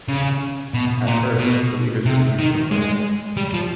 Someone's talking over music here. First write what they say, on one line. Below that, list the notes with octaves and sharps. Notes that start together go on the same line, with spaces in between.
At first, the leaders refuse to play.
C#3
B2
A#2
B2
C3
D#3
G#3
G3
F3